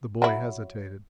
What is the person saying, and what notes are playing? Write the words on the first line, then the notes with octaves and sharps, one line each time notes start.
The boy hesitated.
F#3 E4